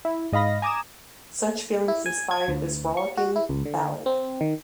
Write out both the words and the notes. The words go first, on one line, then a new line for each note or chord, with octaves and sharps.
Such feelings inspired this rollicking ballad.
E4
G#2 D#5 F5 B5 A#6
G#5 A#5 D6 D#6 G#6 E7
E4
G#5
G#6
D2
C#6
F#4
E4
C#2
D3
C4
D#3